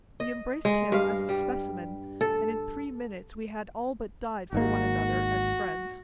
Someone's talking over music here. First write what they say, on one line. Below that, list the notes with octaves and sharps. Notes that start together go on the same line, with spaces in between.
We embraced him as a specimen, and in three minutes we had all but died for one another as friends.
D#5
G#3
G2 F5
G3
A4
G#1 G#2 A#3 F#4